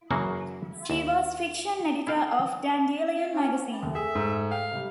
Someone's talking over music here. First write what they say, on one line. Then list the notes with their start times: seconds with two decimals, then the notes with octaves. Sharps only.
She was fiction editor of "Dandelion" magazine.
0.11 F#2 C#3 E3 F#3 A#3 F#4
0.90 D#2
2.07 E4 A4 F5 G5
3.32 C#4
3.83 D#2 A3
3.95 G#4 E5
4.15 G#2
4.51 F5 G5
4.71 C3 G3